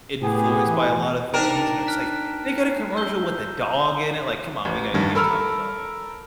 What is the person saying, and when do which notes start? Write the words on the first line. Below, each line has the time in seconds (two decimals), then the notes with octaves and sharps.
influenced by a lot of things, and it's like, they get a commercial with a dog in it. Like, "Come on, we gotta go get Taco Bell."
0.21 A2 B3 G4 G#4
0.66 E3
1.34 D4 D#4 A#4 G5 A5 D7 E7
1.57 A5 A#5
1.87 F6 F#6 B6
2.60 C7
2.96 E6 G6 G7
4.65 A1
4.94 A1 G2 D#3
5.15 A4 A#4 A5 B5 E6 F6